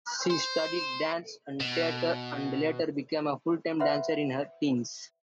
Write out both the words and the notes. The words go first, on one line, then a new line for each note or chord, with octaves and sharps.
She studied dance and theater and later became a full-time dancer in her teens.
C5
B2
B4 C5 E5 F#5 B5 C6